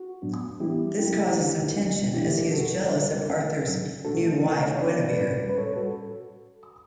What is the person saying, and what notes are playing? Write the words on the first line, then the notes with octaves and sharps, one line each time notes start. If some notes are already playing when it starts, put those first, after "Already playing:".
This causes some tension, as he is jealous of Arthur's new wife Guinevere.
Already playing: F#4
A2 F#3 B3 D4
E3 G3 B3 D4 E4 G4
C#3 F#3 A3 C#4 E4 G4
D3 A3 D4
C#3 F#3 C#4
E3 A3 D4 E4 G4
B2 G3 C#4 F#4 A4
D3 G3 D4
D3 A3 C#4
A2 F#3 C#4
B2 A3 D4 F#4 A4
D3 A3 C#4
C#5
C#3 E3 B3 D4 B4 D5
A2 G3 C#4
B4
A2 G3 C#4 A4 C#5
F#4 A4